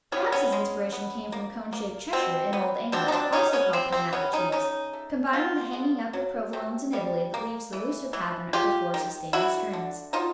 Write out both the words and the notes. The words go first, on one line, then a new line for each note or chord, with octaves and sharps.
Perhaps his inspiration came from cone-shaped Cheshire in old England, also called Pineapple cheese, combined with the hanging up of Provolones in Italy that leaves the looser pattern of the four sustaining strings.
G3 B3 C#4
B3 C#4
G#3
B3
A#3
A#3
B2 C4
B3
B2 C4 D4
D#4
C4 D4
B2 C#4 D#4
B3 C#4
C3 C4
C4
C3 B3 C#4
C#4 D#4
C#3 C#4 D#4
A3
B3 D#4 F4
G#3
F#3
C3
G3
A#3
E3
E3
G#3 F4 G4
D#3
D3 E4 F#4
D3
B2 D#4 F4